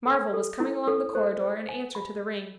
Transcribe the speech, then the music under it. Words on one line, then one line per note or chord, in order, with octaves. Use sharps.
Marvel was coming along the corridor in answer to the ring.
A4
A4
E4
A4
C5
C5
G#5
B5